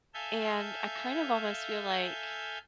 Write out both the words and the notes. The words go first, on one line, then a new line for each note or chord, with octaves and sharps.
and I kind of almost feel like,
A4 E5 F5 G#5 G6